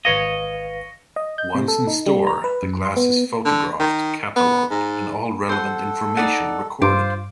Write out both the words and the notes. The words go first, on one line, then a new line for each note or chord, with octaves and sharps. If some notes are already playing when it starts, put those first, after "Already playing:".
Once in store, the glass is photographed, catalogued and all relevant information recorded.
G#1 B4 C#5 D#5 F5
D#5
G6
C3
A4
D#4
G3
A#5
B4
F#2
C6
B3
D3
D#3
B3
G#2
A4 C5 F#5
D#4 D5 F#5
G2 F4 C5 D6